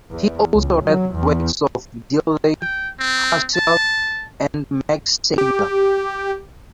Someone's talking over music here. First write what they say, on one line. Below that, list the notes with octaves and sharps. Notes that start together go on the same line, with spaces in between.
He also read the works of Dilthey, Husserl, and Max Scheler.
E2
C#2
F#3
E2
G5
C4
A5
G4